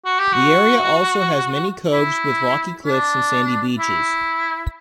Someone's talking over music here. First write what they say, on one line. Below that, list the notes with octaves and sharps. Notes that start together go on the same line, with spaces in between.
The area also has many coves with rocky cliffs and sandy beaches.
F#4
G4
F#4
E4
D4
E4